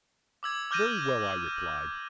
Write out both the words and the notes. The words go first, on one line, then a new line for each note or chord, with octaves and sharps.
"Very well," I replied.
D6 E6 G#6 F#7
D6 F6 G6 A#6 D#7